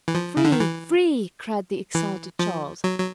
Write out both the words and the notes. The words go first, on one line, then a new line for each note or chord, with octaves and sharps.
"Free! free!" cried the excited Charles.
E3
F3
C#3
D3
D#3
E3
E3
F3
F#3
F#3